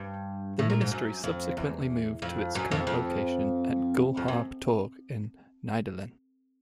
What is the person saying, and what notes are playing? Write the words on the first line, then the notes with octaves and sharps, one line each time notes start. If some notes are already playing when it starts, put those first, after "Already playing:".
The ministry subsequently moved to its current location at Gullhaug Torg in Nydalen.
Already playing: G2
A2
A#2
G#2
F#2
F2
E2
F2
F#2
F2
F2
F2
F#2